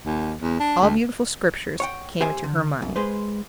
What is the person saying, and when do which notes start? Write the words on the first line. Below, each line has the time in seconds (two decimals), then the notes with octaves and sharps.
All beautiful scriptures came into her mind.
0.05 D#2
0.41 E2
0.60 D4
0.81 D2
1.80 C#5 F#5 G5
2.20 C2 G4 C5 E5 G#5
2.44 D3
2.82 F#2
2.96 G#3 G#4 B4 C5